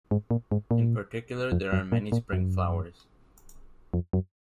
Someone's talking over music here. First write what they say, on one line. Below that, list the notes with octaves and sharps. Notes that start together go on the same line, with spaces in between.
In particular, there are many spring flowers.
G#2
A#2
G#2
A#2
F2
F#2
A#2
A#2
F#2
F2
F#2